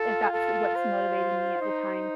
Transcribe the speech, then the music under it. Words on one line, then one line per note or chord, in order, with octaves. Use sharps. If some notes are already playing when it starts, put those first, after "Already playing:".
if that's what's motivating me at the time.
Already playing: F4 A4
A4
C5
D#4